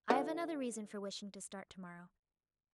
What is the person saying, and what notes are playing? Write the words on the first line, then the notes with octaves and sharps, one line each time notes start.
I have another reason for wishing to start to-morrow.
D3 F3 F#5